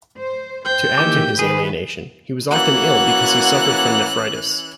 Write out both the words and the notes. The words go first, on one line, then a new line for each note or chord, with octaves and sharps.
To add to his alienation, he was often ill because he suffered from nephritis.
C5
C5 G5
D#3 E3 A#3 G4 D6
D#3 G#4 B4
E3 A#3 C#4 F#4 F#5 F#6